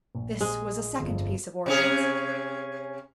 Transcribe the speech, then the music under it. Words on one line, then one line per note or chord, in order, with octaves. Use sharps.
This was a second piece of ordnance.
A#1
G#3
G1 F2
C3 C#4 G#4